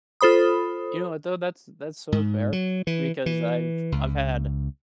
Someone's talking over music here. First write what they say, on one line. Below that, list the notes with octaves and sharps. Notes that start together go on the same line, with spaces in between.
You know what, though? That's that's sorta fair because I've I've had
F4 A4 C5 B5 D#6
G#2
F#3
E3
E3
C#2